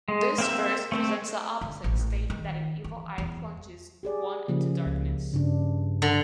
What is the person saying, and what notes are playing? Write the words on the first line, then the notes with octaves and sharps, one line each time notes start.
This verse presents the opposite stating that an evil eye plunges one into darkness.
G#3
A#3 C4 E5
A3 C4
D3
A1
D#3
E3
E2
G4 G#4 D5
C#3 F3 A#3
C#2
G2 C#3 D4
D3